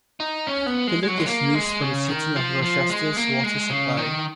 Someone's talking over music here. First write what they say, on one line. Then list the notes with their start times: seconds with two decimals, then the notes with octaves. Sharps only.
The lake is used for the City of Rochester's water supply.
0.20 D#4
0.47 C#4
0.66 B3
0.87 G#3
1.03 G#3
1.08 F#3
1.18 G#3
1.27 A#3
1.55 G#3
1.81 C#3
2.09 D#3
2.36 F3
2.63 F3
2.89 G#3
3.17 A#3
3.43 G#3
3.71 C#3
3.97 D#3